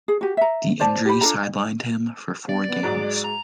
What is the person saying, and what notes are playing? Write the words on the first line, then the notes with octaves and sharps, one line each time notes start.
The injury sidelined him for four games.
G#4
F#4 G4
E5 A#5
C5 D5 A5
G4 B5
D4 F4 A4 A#5
B3 D5
B3
G#2 F#3 G#3
A#5